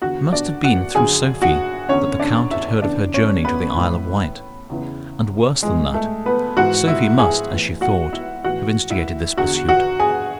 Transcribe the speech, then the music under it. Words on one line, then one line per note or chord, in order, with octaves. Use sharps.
It must have been through Sophie that the count had heard of her journey to the Isle of Wight; and, worse than that, Sophie must, as she thought, have instigated this pursuit.
E2 D3 F#4 F#5
D4 D5
F#4 F#5
F#2 D3 G#4 G#5
F#4 F#5
E2 D3 C#4 C#5
D4 D5
E4 E5
E2 C#3 E3 D4 D5
C#4 C#5
B3 B4
A2 E3
E2 C#3 E3
G#2 E3 G#3 G#4
A3 A4
B3 B4
G#2 E3 F#4 F#5
E4 E5
G#4 G#5
A2 E3
F#4 F#5
E4 E5
A2 E3 F#4 F#5
E4 E5
E2 D3 F#4 F#5
F#4 F#5
G#4 G#5